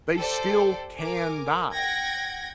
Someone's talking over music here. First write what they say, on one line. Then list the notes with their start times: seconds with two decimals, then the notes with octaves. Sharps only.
they still can die.
0.15 G4 A4 C5 D5
0.99 A#4 G#5 D6
1.73 F#5 G5 G#6 A#6